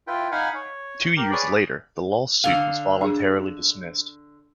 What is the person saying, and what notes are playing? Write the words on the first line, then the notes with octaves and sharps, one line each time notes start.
Two years later the lawsuit was voluntarily dismissed.
E4 F4 B4 G5
D#4 F5 F#5 G#5 B5
C#5
G4 A#4
G#4 B4 C#5 D5
D3 F5
D4 G#4